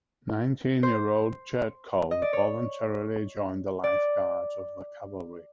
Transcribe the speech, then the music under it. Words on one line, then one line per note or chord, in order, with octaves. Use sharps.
Nineteen-year-old Chertkov voluntarily joined the Life Guards of the Cavalry.
C5
D#5
D5
C#5
D5